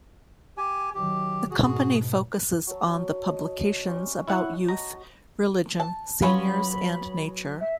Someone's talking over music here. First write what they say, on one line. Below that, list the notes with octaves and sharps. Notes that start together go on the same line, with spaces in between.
The company focuses on the publications about youth, religion, seniors and nature.
G4 G#5
D#3 F#3 G4
G#2 B2 F#4 G#4
F#3 A5
D#5 A5
G3 C#4 C5
C4 E4 F#5
F#4 D#5 A5 A#5
A5
F#3 B3 C#4 F4 B5
E5